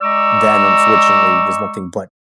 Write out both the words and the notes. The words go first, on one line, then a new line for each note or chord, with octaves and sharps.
Then unfortunately, there's nothing but
G#3 D5 A#5 C#6 D6 E6